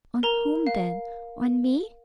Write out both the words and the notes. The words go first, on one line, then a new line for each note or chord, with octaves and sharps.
"On whom, then!--on me?"
A#4 A#5
F5